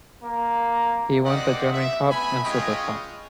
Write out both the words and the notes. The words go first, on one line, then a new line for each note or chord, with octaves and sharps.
He won the German Cup and Super Cup.
A#3
A#3 C4 G4 D5 D#5 F#5
E5
A3 B3 E5 G#5 B5
G#3 C#4 F4 C#5 D#5 G5